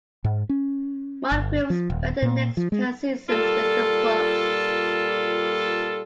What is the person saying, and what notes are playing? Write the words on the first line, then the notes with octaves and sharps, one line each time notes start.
Moncrief spent the next ten seasons with the Bucks.
G#2
C#4
G1
F3
D#1
A#2
F3
G#3
A#2 G3 F4 A4